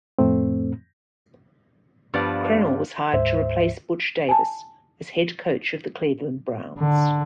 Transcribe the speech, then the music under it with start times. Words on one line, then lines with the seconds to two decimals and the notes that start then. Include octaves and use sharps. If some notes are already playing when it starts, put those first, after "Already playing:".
Crennel was hired to replace Butch Davis as head coach of the Cleveland Browns.
0.19 F2 A2 A3 C4
2.14 G2 F3 B3 D5 A5
3.14 D2 G#2 C5 E5
4.29 G#5 A5
6.78 D3